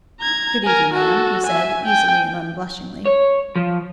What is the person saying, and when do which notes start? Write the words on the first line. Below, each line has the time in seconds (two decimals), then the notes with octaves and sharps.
"Good evening, Anne," he said, easily and unblushingly.
0.20 A#5 G#6
0.64 A#4 G#5
0.94 F#4 A4
1.47 E5 G#5
1.85 G5 G#5
3.06 C#5
3.56 F3